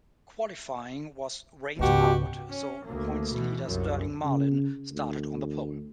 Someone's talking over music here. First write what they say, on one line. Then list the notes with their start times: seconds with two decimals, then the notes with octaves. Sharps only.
Qualifying was rained out, so points leader Sterling Marlin started on the pole.
1.79 C#2 G#2 B2 F#4 G4
2.49 C#4
2.85 D2 A#3
3.32 B2 E3
3.65 C2 F#2
4.24 C#3
4.92 D2